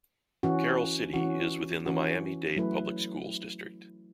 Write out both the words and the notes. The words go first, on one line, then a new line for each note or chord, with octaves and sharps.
Carol City is within the Miami-Dade Public Schools district.
E3 C#4 F#4
E3 C#4 F#4
E3 C#4 F#4
F#3 A3 E4 B4